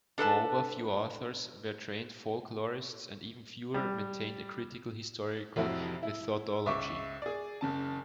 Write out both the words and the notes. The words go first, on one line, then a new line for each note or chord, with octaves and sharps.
Moreover, few authors were trained folklorists and even fewer maintained a critical historical methodology.
D4 A4 B4 A5
G3
F1 F2 C4 E4 F#4
E4
C#2 E5 C#6 D6
G#4 D5
F#1 C#3 A5